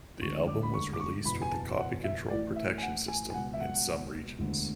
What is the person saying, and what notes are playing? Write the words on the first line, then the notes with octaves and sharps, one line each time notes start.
The album was released with the Copy Control protection system in some regions.
E1 D2 D3 C#6
D6
B5
C#6
D6
C#6
F#1 E2 B2 B5
G#5
A5
F#5
E5
A1 A2 E3 D5
E5
G#5
F#5
G#5
G#5
C#2 B2 F#5
E5
F#5
E1 D2 D3